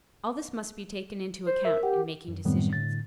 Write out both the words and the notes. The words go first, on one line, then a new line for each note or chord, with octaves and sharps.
All this must be taken into account in making decisions.
C5
A#4 E5
G4 F#5
F#2
F#2 A2 D#3 G3 B3 C4
A2 D3 A6